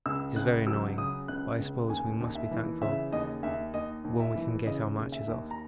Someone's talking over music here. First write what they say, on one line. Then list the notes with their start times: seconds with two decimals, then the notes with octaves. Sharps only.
It is very annoying, but I suppose we must be thankful when we can get our marches off.
0.06 C#2 E6
0.36 C#2 F#6
0.67 F#3 E6
0.98 C#3 D#6
1.28 C#2 F#6
1.59 C#2
1.90 D#2 G#5
2.21 D#2
2.35 E5
2.51 E3
2.82 C#3 E5
3.12 D#2 D#5
3.43 D#2 E5
3.74 D#2 D#5
4.04 D#2
4.20 E5
4.36 E3
4.66 C#3 D#5
4.97 D#2
5.12 E5
5.28 D#2
5.51 A#5